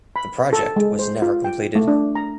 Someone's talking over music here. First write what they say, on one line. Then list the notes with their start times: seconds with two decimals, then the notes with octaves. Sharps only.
The project was never completed.
0.16 B5
0.53 A4
0.76 G#3
0.99 C5
1.22 F4
1.44 G5
1.75 A3
1.88 D4
2.15 A#5